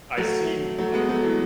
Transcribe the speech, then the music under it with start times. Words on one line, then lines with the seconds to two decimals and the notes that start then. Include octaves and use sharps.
I seen a
0.17 F#3 A3
0.78 F#3 A3
0.94 G#3 B3
1.09 F#3 A3
1.24 E3